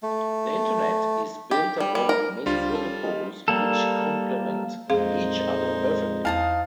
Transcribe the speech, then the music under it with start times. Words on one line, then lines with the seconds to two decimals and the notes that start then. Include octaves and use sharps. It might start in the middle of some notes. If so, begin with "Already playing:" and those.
The internet is built upon many protocols which compliment each other perfectly.
0.03 A3
1.51 G4
1.80 G3
1.95 G3
2.09 A#4
2.46 C#2 G3 D4 F4 C5
2.73 C#4 A4
3.04 D#5
3.48 G3 A#3 A4
4.90 F2 A#2 G#3 C4 D#4 G#4 C5 F5
6.25 E2 F5 A5 D#6